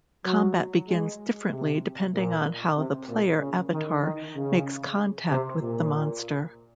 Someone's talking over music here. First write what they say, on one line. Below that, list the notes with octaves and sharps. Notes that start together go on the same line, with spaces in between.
Combat begins differently depending on how the player avatar makes contact with the monster.
F#3
G#3
C3
A#2
C3
A#2
C#3
D#3
D#3
C#3
C3
A#2